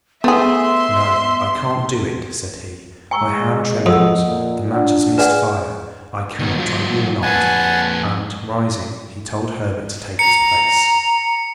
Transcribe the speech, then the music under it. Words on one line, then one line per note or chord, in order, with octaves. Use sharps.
"No, I can't do it," said he, "my hand trembles, the match has missed fire; I cannot, I will not!" and rising, he told Herbert to take his place.
A3 B3 G#4 E5 C6
G#3 G#5 A#5 C#6 E6
F2 D#5 F#5 D#6 E6
A#2
D4 F4 D5 F#5
G#4 B4 D5 F#5 G#5 E7
D#3 B3
F#3 F4
F2 B4 F#5 G#5 A5
A#5 C#7